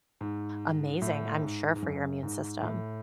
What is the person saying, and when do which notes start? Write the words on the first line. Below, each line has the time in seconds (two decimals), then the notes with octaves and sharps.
amazing, I'm sure, for your immune system.
0.21 G#2
1.02 A2
1.42 G#2
1.76 G#2
1.82 F#2
2.23 G#2
2.62 A2